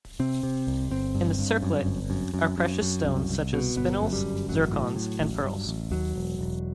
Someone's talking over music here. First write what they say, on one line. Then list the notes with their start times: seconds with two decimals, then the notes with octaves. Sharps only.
In the circlet are precious stones such as spinels, zircons, and pearls.
0.19 C3 C4
0.43 C3
0.67 C2
0.90 G1 C4
1.15 G2
1.38 G2
1.63 F#2
1.87 G1
2.10 F#2
2.34 F#2
2.58 F#2
2.82 F#2
3.05 C2
3.29 C2
3.53 B2
3.76 G1 B3
4.01 F#2
4.13 G3
4.24 G1
4.49 A1 F#3
4.73 A2
4.96 A2
5.20 A1
5.43 G2
5.67 A1
5.91 D#2 F#3
6.15 E1
6.39 E1